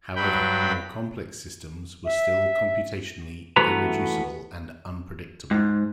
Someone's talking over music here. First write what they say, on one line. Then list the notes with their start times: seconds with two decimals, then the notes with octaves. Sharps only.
However, more complex systems were still computationally irreducible and unpredictable.
0.16 G2 F#3 G5 B5
2.05 E5
3.56 E3 A3 B3 F#4 B4 A#5
5.51 G#2